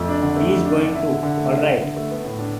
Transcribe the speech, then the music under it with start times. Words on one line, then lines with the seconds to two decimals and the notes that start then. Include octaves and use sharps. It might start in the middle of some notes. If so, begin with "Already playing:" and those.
He's going to, all right.
Already playing: F2 A3
0.09 D4
0.22 D3
0.36 A3
0.51 F2
0.65 D4
0.80 D3
0.95 E4
1.09 D3
1.23 D3
1.38 A3
1.52 E4
1.67 D3
1.82 D3
1.97 A3
2.11 B3
2.25 A2
2.39 D4